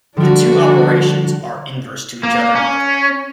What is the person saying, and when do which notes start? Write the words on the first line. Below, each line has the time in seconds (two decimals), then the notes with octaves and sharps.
The two operations are inverse to each other.
0.17 D3 F3 G3 D4 F#4
2.23 A#3
2.55 C#4